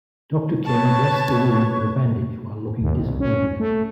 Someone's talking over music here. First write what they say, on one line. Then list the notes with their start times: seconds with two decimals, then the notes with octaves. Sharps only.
Doctor Kim dressed the wound with a bandage while looking disappointed at me.
0.66 B4 C#5 A5 C#6
2.81 D#2
3.01 C2
3.20 C#4
3.60 A3